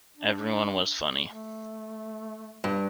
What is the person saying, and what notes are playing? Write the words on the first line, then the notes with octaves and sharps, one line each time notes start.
Everyone was funny.
D4
A3
G2